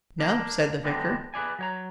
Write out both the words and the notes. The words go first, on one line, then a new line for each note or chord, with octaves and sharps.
"No," said the vicar.
A#3 D4
D3 F#3 G#3 B3 C4 D4
G#4 B4 C5 D5 G#5
F#3 C#5 A#5